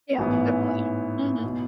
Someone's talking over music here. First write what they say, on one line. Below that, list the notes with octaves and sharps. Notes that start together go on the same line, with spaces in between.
Yeah. Definitely. Mhm.
A1 G#2 E3 B3 E4
B2